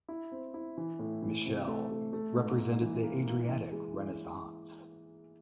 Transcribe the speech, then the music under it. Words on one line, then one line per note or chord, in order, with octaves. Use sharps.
Michele represented the Adriatic renaissance.
E4
C4
E4
E3
A2
E3
C3
A3
A3
A3
G#2
G#2
E3
A#3
A#3
E3
G#3
E3